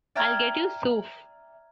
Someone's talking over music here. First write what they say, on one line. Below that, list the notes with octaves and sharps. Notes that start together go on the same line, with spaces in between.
I'll get you 'Souf'!
D5 E5 G5 A#5 F6 G#6